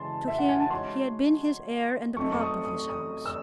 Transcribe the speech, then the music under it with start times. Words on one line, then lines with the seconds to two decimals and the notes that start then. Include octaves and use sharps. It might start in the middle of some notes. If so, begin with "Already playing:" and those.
To him he had been his heir and the prop of his house.
Already playing: C#3 E3 G#3 A5 C6
0.28 E5
0.38 F#5
0.49 G#5
0.60 A5
0.70 G#3 D#4 F#4 C#5 C6
2.16 F#3 A3 C4 D#4 A4 C#6
2.32 C#6
2.41 D#6
2.65 D#6
2.90 D#6
3.26 E6